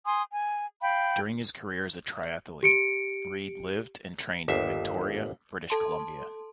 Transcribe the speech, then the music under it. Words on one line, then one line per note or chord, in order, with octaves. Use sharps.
During his career as a triathlete Reid lived and trained in Victoria, British Columbia.
G#5 C6 D#6
G#5
F5 G5 B5
G4 C#7 D7
G1 D#2 E5
A4 A5 C6